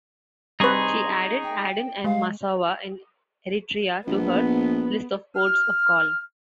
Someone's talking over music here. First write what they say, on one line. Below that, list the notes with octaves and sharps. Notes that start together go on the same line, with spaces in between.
She added Aden and Massawa in Eritrea to her list of ports of call.
G3 C4 D#4 G#4 B4 C6 C#6
G5
G#3 F5
A#1 B3
F6